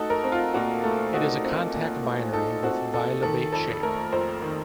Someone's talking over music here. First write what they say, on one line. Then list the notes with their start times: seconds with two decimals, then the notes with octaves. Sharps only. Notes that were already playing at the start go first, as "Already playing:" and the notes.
It is a contact binary with bilobate shape.
Already playing: A3 D#4 F#4 A4
0.10 A#4
0.24 C4
0.32 F4
0.54 A#2 F#4
0.83 A3 A4
1.14 D#4 F#4
1.44 C4
1.74 A#2
2.03 A3
2.33 D#4 A4
2.63 C4 F#4
2.93 A#2 A4
3.23 D#3 A4
3.53 F2 A4
3.83 A3 A#4
4.12 F2 C5
4.42 D#3